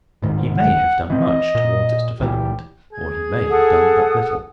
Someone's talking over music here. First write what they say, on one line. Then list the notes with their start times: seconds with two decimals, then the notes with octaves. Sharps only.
He may have done much toward its development or he may have done but little.
0.22 D1 G#2 D#3
0.58 F#5
1.10 E3 C4 D#5
1.55 A#2
2.20 C#2 A#2 E3 G4
2.93 G#4 G#6
3.49 A4 F#5 D#6